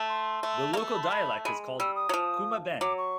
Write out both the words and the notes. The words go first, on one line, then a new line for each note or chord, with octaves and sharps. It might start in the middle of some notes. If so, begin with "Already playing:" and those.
The local dialect is called Kuma-ben.
Already playing: A3
C6
A3
A#3
A3 C#6
A5
B5
C6
B5
G#3 B5
G3 E6
D#6
F#3
F3
F#3 D6
C#6